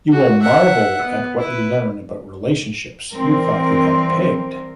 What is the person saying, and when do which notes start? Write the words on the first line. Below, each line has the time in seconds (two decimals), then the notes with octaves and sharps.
You will marvel at what you learn about relationships you thought you had pegged.
0.11 F#4
0.42 E5 F#5
1.02 B3
1.40 E4 B4
3.13 E3 G3 C4 A#4